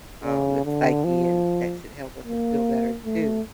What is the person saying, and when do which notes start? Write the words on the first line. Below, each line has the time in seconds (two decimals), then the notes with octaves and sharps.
um, the psyche, and that should help us feel better too.
0.24 C#3
0.65 D3
1.04 F3
2.25 A#3
3.05 A3